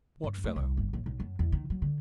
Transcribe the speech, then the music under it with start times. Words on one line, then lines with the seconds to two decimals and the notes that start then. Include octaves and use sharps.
"What fellow?"
0.24 G2
0.44 A3
0.56 C2
0.77 G1
0.93 A#1
1.06 B1
1.20 F#2
1.39 E2
1.52 D#3
1.70 F#3
1.82 D3